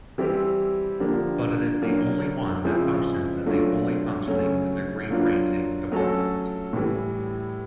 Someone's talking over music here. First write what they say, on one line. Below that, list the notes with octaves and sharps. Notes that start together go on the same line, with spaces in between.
But it is the only one that functions as a fully functioning, degree-granting department.
E3 G3 C4 E4 G4
D3 F3 A#3 D4 G4
F#3 A#3 D4
C#3 F3 G#3 C4 E4
F#3 A3 D4 F4
C#3 F#3 A3 C#4
F#3 A#3 D4 F4
F#3 A3 C#4 F#4 A4
A2 E3 G3